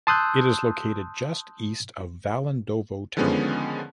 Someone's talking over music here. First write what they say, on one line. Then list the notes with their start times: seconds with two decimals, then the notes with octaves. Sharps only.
It is located just east of Valandovo town.
0.07 A5 C6 D#6 E6 F#6 G6
3.17 D3 D#3 F3 G#3 B3 C#4